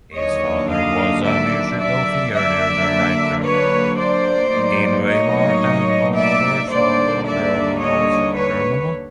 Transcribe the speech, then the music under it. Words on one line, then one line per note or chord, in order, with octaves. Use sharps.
His father was a musical theatre director in Weimar and other Southern German centers.
D#2 D3 F#3 A#3 D4 C#5 D#5
D#5 F5
D5 E5
D5 E5
D3 F#3 A#3 D4 D5 E5
B4 C#5
C5 D5
A2 F#3 A#3 D#4
C#5 D#5
D5 E5
D#2 D3 G3 A#3 D4 C5 D5
D5 E5
C#5 D#5
B4 C#5